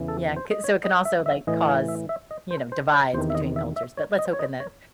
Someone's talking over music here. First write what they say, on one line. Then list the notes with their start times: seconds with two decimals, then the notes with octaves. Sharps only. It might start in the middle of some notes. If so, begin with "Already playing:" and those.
Yeah, ‘ca so it can also like cause, you know, divides between cultures, but let's hope in that
Already playing: E2 C#3 E3
0.08 A4
0.36 C5
0.51 D#5
0.64 C#5
0.84 D#5
1.05 E5
1.26 E5
1.47 A2 E3 D#5
1.68 C#5
1.88 E5
2.09 E5
2.31 D#5
2.51 C5
2.72 C5
2.93 C#5
3.13 E2 C3 D#3 C5
3.30 E5
3.35 D#5
3.56 E5
3.76 E5
3.97 C#5
4.19 D#5
4.33 C#5
4.39 D#5
4.60 C#5